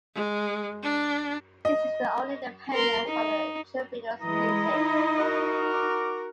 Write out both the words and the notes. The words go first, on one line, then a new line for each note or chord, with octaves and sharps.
This is the only appearance of Cherubino's music.
G#3
D4
D#5
A#4 C6
D#4
E3 G#3 E4 D#5 A#5
D#4
F#4 A#4
D6